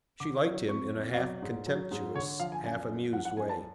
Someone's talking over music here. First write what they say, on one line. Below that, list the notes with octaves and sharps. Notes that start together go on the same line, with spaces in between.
She liked him in a half-contemptuous, half-amused way.
D3 D6
F#3
F2 C#6
F2
F5
F#3 D5
G#2
F#3
G#2
D3 C#5
F3 F5
G#5
F#2 G#5
F#2
F3 F#5
F#5
F#2 G#5
A5